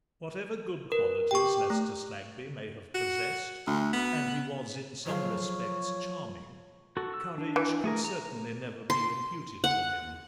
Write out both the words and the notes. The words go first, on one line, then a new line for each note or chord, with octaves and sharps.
Whatever good qualities Lester Slaggby may have possessed, and he was in some respects charming, courage could certainly never be imputed to him.
A#4 B4
G4 G5 C#6
A3
F#4
D2
B3
F3 F#3 G#4 C#5 F5
F#4 A4
E6
D4
E3
A3 G#4 A#4
A#5
C6
F#5